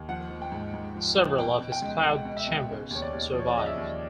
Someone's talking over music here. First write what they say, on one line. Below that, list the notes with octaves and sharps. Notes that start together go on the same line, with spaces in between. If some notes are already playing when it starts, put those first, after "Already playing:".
Several of his cloud chambers survive.
Already playing: D#2
F3 F#5
F3
G5
G#2
G#2
F3
F3
B2 G5
B2
G5
C#2
C#2 F#5
B2
E5
B2
C#3
D#2 C#5
D5
D#2
F3 C#5
D5
C#3 D#5
E5
D#2